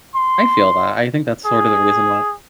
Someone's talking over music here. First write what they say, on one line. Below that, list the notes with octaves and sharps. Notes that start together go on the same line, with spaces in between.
I feel that. I think that's sorta the reason why
C6
G#4